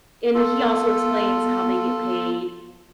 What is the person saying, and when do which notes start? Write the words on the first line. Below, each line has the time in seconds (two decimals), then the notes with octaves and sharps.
and he also explains how they get paid
0.35 B3 F4 A4